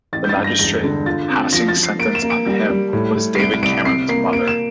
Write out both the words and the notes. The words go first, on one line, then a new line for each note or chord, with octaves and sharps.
The magistrate passing sentence on him was David Cameron's mother.
A1 A6
G6
A6
G2
A#6
E1 A#6
D3
F4 A6
C4
F3 A#6
A6
F3
C7
A#3 D7
E7
A#3
D7
G3
G3
A2
A2
C7
C2 D7
C2 D7
C3 C7
A#3 C7
A#3 D7
E7